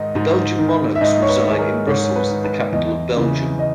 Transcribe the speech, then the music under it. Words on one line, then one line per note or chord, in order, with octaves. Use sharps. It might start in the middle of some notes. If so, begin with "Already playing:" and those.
The Belgian Monarchs reside in Brussels, the capital of Belgium.
Already playing: G#2 D#3 D#5
G#2
D#3
E5
G#2 D#5
C#5
B4
D#3
G#4
A#4
G#2 C#5
C#5
B4
D#3
B4
E2 D#5
C#3 E3
D#5